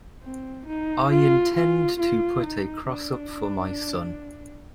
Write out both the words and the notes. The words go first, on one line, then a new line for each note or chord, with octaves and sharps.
I intend to put a cross up for my son.
C4
D#4
F4
F4
F4
D#4
D4